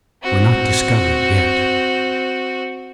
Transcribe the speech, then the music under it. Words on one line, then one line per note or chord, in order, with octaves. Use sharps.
We're not discovered yet.
C4 F#4